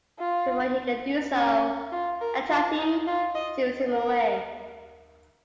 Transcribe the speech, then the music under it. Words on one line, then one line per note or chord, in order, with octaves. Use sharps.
Before he can do so, Itachi seals him away.
F4
C#4
F4
A#4
F4
D#4
F4
D#5
A#4